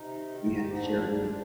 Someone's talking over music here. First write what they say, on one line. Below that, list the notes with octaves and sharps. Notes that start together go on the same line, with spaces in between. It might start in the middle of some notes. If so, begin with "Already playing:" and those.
that we had to share with me,
Already playing: C3 D#4
D#3
D#3
G#2
G4
G#2
D#4
A#2 D4
F3
F3